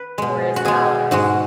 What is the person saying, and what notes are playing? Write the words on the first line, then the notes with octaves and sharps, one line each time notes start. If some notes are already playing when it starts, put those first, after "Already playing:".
tourist dollars.
Already playing: B4
B2 G#3
F#4
B2 G#3 G#4
G#2 G#3 F#4